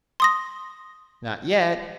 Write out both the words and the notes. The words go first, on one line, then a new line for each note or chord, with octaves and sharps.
"Not yet."
C6 D#6 A#6